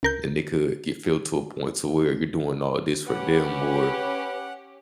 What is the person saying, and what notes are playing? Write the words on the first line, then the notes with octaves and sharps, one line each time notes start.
and they could get filled to a point to where you're doing all this for them or
C#2 A#4 G6
C#4 G4 B4 F#5